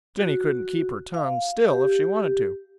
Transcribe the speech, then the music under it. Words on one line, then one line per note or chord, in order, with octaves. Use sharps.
Jenny couldn't keep her tongue still if she wanted to.
F#4
F5
G4